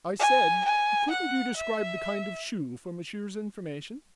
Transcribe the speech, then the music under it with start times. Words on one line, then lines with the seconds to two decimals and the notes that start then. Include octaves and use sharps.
"I said, couldn't you describe the kind of shoe, for monsieur's information?"
0.19 G#5
0.65 G#5
1.11 F#5
1.56 E5